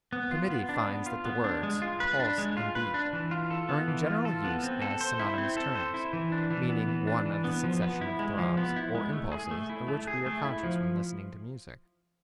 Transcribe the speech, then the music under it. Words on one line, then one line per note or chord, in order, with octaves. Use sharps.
The Committee finds that the words: Pulse and Beat are in general use as synonymous terms, meaning one of the succession of throbs or impulses of which we are conscious when listening to music.
B3
F4
B3
D4
B3
F4
B3
D4
G#3
F4
B4
D4
G#3
F4
B4
D4
E3
F4
A4
B3
E3
F4
A4
B3
C4
A4
C5
E4
C4
A4
C5
E4
E3
D4
E3
B3
E3
D4
E3
B3
F3
B3
E4
G#3
F3
B3
E4
G#3
A3
G#4
A3
E4
A3
G#4
A3
E4
F3